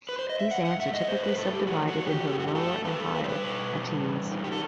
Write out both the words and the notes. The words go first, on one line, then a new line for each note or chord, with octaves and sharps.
These ants are typically subdivided into the "lower" and "higher" attines.
B4
C5
D#5
E5
G2 F#5
F#5
A3 E5
D#5
G2 C5
B4
A3 A4
G4
E3 F#4
F#4
E3
G4
F#2 A4
G4
F#4
G4
A3 A4
G3 B4
A4
G3 B4
C5
B4
B2
G3
E2
D#3
G4
A4